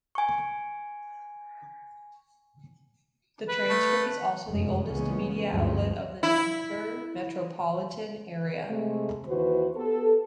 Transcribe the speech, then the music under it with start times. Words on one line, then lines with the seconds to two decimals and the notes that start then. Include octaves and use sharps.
The "Transcript" is also the oldest media outlet of the Denver metropolitan area.
0.15 G#5 C#6
3.49 B4
3.69 A3
4.47 F1 F#2 B2 G#3
4.85 C#2 A#2 E3 G#3 B3 C#4
5.47 F#1 D2 G2 F3 G#3 C4
6.23 E4
8.69 C3 G#3 A3
9.28 D#2 E3 F#4 B4 C5
9.75 B3 G4 A4